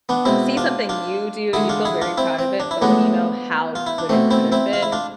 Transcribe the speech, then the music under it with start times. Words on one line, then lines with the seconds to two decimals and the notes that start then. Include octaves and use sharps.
see something you do, you feel very proud of it, but when you know how good it could've been,
0.09 B3 D4
0.25 B2 G#3 C4 E4
0.57 D4 F4
0.89 D4 F4
1.53 D3 G#3 E4 G#4
1.69 D4 F4
1.85 E4 G#4
2.01 D4 F4
2.17 C4 E4
2.39 C4
2.60 D4
2.71 E4
2.81 A2 G#3 B3 D4
3.75 F4
3.87 E4
3.98 D4
4.09 B2 A3 C4
4.30 C4 E4
4.52 C4 E4
4.73 F4
4.82 E4
4.92 D4 F4